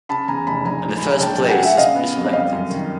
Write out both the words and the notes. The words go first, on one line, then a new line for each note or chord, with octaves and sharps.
And the first place is pre-selected.
C#3 A5 B5
E2 G#5 A#5
F1 A5 B5
A#1 G#5 A#5
A#2
B5
G#3
A#5
A#1 G5 A5
A#1 G5 A5
F#5 G#5
A#2 E5 F#5
C#3 D#5 F5
B3
F2
G3 D#5 F5
F#2
D#3